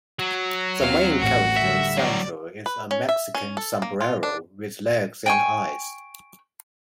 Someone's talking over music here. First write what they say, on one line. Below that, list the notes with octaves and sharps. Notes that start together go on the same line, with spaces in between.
The main character, Sancho, is a Mexican sombrero with legs and eyes.
F#3
D#2 C4 F5
A1 F#4
D3 G3 E5
A2 F#3 D5
B4
C#4
E5
C#4
A4
A#3
F4
D4
G5 G#5 C#6